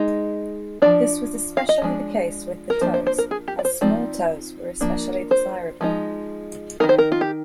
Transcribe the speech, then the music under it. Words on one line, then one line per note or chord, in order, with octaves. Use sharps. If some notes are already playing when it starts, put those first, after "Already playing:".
This was especially the case with the toes, as small toes were especially desirable.
Already playing: G#3 D#4
F3 A#3 D4 D5
F5
D#5
F3 G#3 D4
A#4
F3 A#3 D4 C5
C5
C5
A#4
G#4
G4
D5
C5
F3 C4 D#4 D5
F3 A#3 D4
C5
F3 G#3 D#4
D#3 A#3 D#4 A#4
C5
A#4
F4
G4